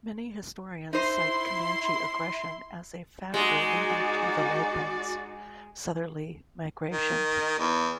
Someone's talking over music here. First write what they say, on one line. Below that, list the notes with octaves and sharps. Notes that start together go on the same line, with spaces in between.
Many historians cite Comanche aggression as a factor leading to the Lipan's southerly migration.
D#4 E4 C5 C6
G#3 D#4 F#4 G#4 D5
D#3
E2